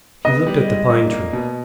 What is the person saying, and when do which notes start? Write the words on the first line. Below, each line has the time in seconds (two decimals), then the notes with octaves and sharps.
He looked at the pine-tree.
0.25 B3 D#5
0.46 G3
0.68 G#3
0.90 A#2
1.11 A#3
1.33 B2